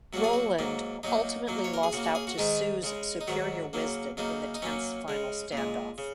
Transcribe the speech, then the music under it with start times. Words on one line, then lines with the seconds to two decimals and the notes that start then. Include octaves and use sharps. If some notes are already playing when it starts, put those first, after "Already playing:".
Roland ultimately lost out to Soo's superior wisdom in the tense final standoff.
0.13 F#2 F#3 A#3 F#4
0.24 G#4
0.33 F#4
0.59 G#2 F#3 A#3
1.03 F#2 F#3 A#3 D#4
1.48 F#2 F#3 A#3
1.64 C#5
1.74 A#4
1.83 G#4
1.93 C#3 A#3 F#4
2.04 F#4
2.15 G#4
2.27 F#4
2.38 G#2 D#3 G#3 D#4
2.83 C#3 G#3
3.21 D#4
3.27 G#2 D#3 F#3 F#4
3.73 C#3 F#3 A#3
4.17 F#2 C#3 A#3 D#4
4.54 D#4
4.62 F#2 F#3 A#3 C#4
5.08 C#3 G#3
5.52 A#2 G#3
5.98 C#3